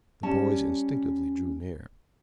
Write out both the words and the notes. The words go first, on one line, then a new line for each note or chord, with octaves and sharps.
The boys instinctively drew near.
G3 C#4 A5